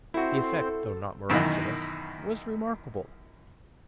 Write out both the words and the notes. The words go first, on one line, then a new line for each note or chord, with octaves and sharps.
The effect, though not miraculous, was remarkable.
C4 E4 F#4 A4 C5
F#2 B2 D#3 E3